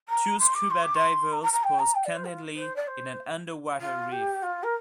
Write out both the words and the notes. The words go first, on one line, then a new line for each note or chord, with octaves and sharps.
Two Scuba Divers pose candidly in an underwater Reef.
A#5
C6
D6
C6
D6
C6
A#5
A#5
A#5
G5
A#5
G5
D5
C5
F4
C5
D5
C5
F4
G4
F4
A#4